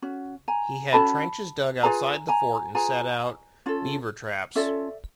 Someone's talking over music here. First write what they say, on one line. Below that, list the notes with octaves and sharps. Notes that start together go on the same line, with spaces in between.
He had trenches dug outside the fort, and set out beaver traps.
C#4 F#4
G#5 A#5
C#4 F#4 A4 A5 B5
F4 G#4 B4 G#5 A#5
G#5 A#5
F4 G#4 B4 G#5 A#5
C#4 F4 A4
C#4 F4 A4 D5 E5